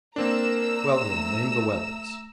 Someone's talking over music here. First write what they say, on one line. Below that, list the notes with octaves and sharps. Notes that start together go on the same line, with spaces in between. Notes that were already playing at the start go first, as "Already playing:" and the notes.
"Well, then, name the weapons."
A#3 C4 D4 A#4 A#5 E6
A3